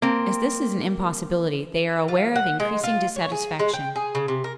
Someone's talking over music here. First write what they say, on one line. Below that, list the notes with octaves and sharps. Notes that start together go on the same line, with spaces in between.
As this is an impossibility, they are aware of increasing dissatisfaction.
A#3 C4
F4
F#5
G#3
F4
C#5
G#4
G#3
G5
G#4
C#3
C3
A#4